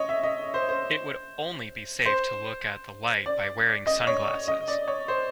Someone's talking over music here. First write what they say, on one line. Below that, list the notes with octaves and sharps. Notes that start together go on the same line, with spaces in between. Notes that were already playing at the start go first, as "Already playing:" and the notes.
It would only be safe to look at the light by wearing sunglasses.
Already playing: C#5 D#5
E5
D#5
C5
C5
C5
D5
D#5
C#5
D#5
D5
C#5
C5